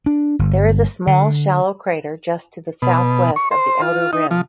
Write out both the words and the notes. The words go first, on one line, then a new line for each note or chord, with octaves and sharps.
There is a small, shallow crater just to the southwest of the outer rim.
D4
G1
D3
B2
C#6
C5
F4
D#4
F3